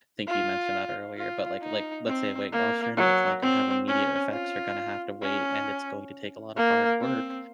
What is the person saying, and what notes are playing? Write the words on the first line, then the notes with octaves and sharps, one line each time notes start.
think you mentioned that earlier, but, like like, let's say a weight loss journey, it's not gonna have immediate effects. You're gonna have to wait, and it's going to take a lot of hard work,
F4
F4
D#4
C4
A#3
F#3
C4
C#4
F4
C#4
A#3
C4